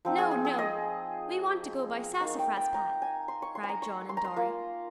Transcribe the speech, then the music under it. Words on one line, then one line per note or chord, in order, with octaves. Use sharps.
"No, no! We want to go by Sassafras Path!" cried John and Dorry.
F3 C4 D#4
G#4
G#4
G#4
D#5
A#3 D#4 F5
G5
G5
A#5
G#5
C6
C#6
C6
G#5
A#5
C#6
C6
A#5
C6
A#3 F4